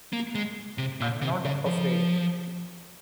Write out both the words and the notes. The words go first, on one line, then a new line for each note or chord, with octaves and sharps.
I’m not afraid.
A#3
G#3
C3
A#2
C3
C#3
F3